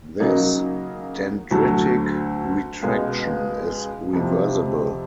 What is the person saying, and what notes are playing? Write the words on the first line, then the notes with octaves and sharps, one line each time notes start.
This dendritic retraction is reversible.
C#3 F#3 A#3 D#4
D2 D3 F#3 A3
C#2 B2 G#3 B3
F2 C3 F3